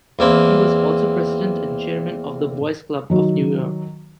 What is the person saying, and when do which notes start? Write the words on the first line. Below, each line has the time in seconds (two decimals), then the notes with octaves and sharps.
He was also president and chairman of the Boys' Club of New York.
0.19 E2 A#3 C4
3.10 D#3 F#3